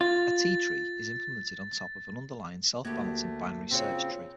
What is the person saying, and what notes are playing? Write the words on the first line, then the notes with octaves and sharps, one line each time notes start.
A T-tree is implemented on top of an underlying self-balancing binary search tree.
F4 A6
D2 A3 A#3 F#4 G4 G#6
C#3 C4 F4 F#4 C#5